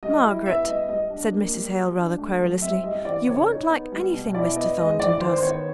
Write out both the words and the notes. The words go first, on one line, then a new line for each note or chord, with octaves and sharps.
'Margaret!' said Mrs. Hale, rather querulously, 'you won't like anything Mr. Thornton does.
G3 D#5
E4
B3 E5
G3 D#5
G3 D#5
D4
A#3
G3
F#4
D4
A3
F#3
C4 E5
G3 D#5
E3 D5
C#3 C#5
D#4
B3
G3
B2
E4 D5
B3 D#5
G#3 D#5
E3 D5
D#3 C5
C5
B3 C#5